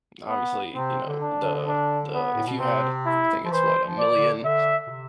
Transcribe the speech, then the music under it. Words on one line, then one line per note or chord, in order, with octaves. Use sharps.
obviously, you know, the the, if you had, I think it's what, a million
B3
C3 C4
D3
D4
D3
D4
B3
A2
B2
C3 C4
E4
F3
E3 C5
F3
D5
D3
D3 E5
B2
C3